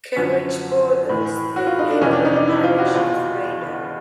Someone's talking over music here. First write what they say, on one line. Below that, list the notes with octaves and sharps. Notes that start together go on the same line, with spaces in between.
Kerridge borders the neighbouring parish of Rainow.
F#2 D3 F3 C#4
A2 E3
F#4
F4
D#4
D4
F2 C3 E3 C#4
D4
D#4
D#4
E4
F4
F#4
E2 B2 F4